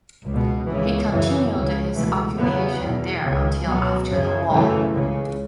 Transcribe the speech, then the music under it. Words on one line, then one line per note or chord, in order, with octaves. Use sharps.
He continued his occupation there until after the war.
C#2 B2
C#2 C#3 E3
F#2 C#3 E3
C#2 C#3
C#2 B2 E3 A3
E2 C#3 F#3 B3
E2 B2
C#2 C#3
C#2 B2 F#3 B3
F#2 C#3
F#2 C#3 E3 A3
C#2 C#3